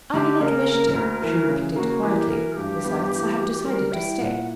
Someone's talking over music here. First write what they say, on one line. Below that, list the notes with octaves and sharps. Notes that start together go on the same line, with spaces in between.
"But I do not wish to," she repeated quietly; "besides, I have decided to stay."
D3 G4
C#3 A#4
A#3
D2
E3 A#4
C#3
A#3 F#4
E3 G4
F#4 A#4
G2 G4
B3
E3
F#4
G3 A#4
E4 G5
A#2 F#5